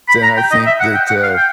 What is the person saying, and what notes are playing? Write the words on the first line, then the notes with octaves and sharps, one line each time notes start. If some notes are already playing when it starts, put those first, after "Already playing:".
then I think that, uh
B5
A#5
G5
D#5
E5
F#5
G5
F#5
F5
G5